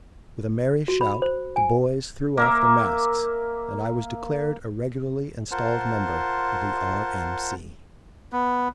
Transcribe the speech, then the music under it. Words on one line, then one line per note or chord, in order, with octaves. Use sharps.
With a merry shout the boys threw off their masks, and I was declared a regularly installed member of the R. M. C.
F#4
B5
C5
G#5
A#3 A#4 E5
F4 A#4 C5 F#5 A5 C6
B3